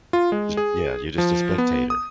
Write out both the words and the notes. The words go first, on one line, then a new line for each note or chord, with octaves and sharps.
J yeah, you're just a spectator.
F4
G#3
G#4
F3
B3
D#6